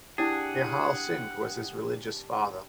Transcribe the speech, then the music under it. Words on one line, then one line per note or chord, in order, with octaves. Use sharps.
Nihal Singh was his religious father.
D4 E4 G4 G#4 F#5